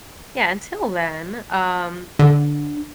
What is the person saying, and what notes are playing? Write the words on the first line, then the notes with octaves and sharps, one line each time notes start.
Yeah, until then, um
D3